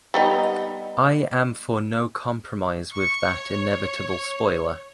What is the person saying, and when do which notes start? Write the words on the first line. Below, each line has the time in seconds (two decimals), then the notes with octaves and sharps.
I am for no compromise with that inevitable spoiler.
0.14 G3 B3 D#4
2.93 C#6
3.32 C#5